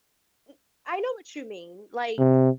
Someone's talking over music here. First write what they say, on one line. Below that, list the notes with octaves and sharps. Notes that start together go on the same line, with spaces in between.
n I know what you mean, like
C3